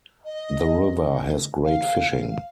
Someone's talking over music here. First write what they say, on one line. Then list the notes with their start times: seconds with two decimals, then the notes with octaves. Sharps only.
The river has great fishing.
0.25 D#5
1.64 F5